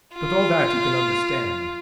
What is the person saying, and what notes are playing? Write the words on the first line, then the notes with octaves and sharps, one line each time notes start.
But all that you can understand.
F4